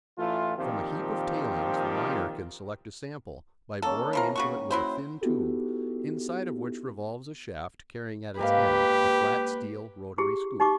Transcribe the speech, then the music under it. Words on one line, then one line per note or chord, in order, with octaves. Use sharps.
From a heap of tailings the miner can select a sample, by boring into it with a thin tube, inside of which revolves a shaft carrying at its end a flat steel rotary scoop.
A1 E3 A3 F4
A#2 D#3 F3 C4 F4 G4
D#3 A#3 C#4 A4
E3 F3 A#4
C#3 F#4 C#6
F#3 E4 C5
B3 D#4 E4 F#4 G4 A4
G#2 A#3 G4 B4 F5
E4 G4 G#4
D#4 G4 C#6 D6